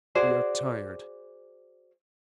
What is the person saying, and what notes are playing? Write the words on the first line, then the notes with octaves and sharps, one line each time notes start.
We are tired.
F#4 G#4 C5 D5